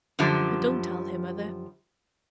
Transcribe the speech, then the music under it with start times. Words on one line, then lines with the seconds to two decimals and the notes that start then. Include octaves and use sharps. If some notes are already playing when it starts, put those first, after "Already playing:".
But don't tell her, mother.
0.19 F#2 D3 F3 G3